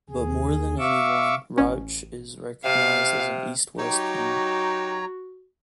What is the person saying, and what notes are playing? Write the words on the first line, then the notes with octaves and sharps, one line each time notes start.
But more than anyone Rauch is recognized as an East-West painter.
D#2 G#4
E5 F5 C#6 D6 E6
A1 C#4
C3 F5
F#3 D#4 F#4 G4 C#5 A#5